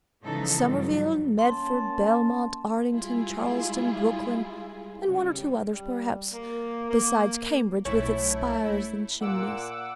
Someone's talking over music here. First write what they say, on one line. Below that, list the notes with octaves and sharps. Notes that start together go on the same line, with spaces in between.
Somerville, Medford, Belmont, Arlington, Charlestown, Brookline, and one or two others, perhaps, besides Cambridge with its spires and chimneys.
C#3 E3 F3 G#3 D#4 A4
G2 E3 F#3 G3
A#3 C#4 A5 C6
G3 G#3 E4 F4 G#4
C#3 G3
G3
A#3
A#3
B1 A3 C#4 E4
A#2 F#5 D6 E6